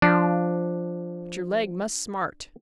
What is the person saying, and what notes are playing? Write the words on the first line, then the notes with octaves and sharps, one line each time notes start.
"But your leg must smart."
F3 D4